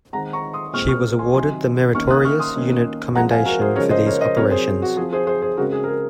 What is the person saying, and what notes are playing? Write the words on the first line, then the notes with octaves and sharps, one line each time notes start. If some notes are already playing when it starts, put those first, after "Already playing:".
She was awarded the Meritorious Unit Commendation for these operations.
D#3 G#3 C4 F#5 A#5
A#5 C#6
C6 D#6
A#2 G#3 C4 C#6 F6
C#6 F6
G#5 C6
C3 D#3 F#3 G#5 C6
D#3 A#3 C#4 C#6 F6
D#6 F#6
C#6 F6
C6 D#6
D#3 A#3 C#4
F3 G#3 C4 F#5 A#5
F5 G#5
F#4 A#4
G#4 C5
C#3 F3 G#3 A#4 C#5
C5 D#5
A#4 C#5
C5 D#5
C3 F#3 C4 A#4 C#5
G#4 C5
F#4
F3 C4 G#4
G#4 C5
G#4 C5
G#4 C5
C#3 G#3 C4 F#4 A#4
G#4
A#4
G#4